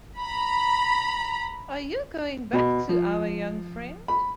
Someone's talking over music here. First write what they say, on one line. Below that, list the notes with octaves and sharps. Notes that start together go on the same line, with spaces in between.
Are you going back to our young friend?
A#5 B5
B2
F3
B5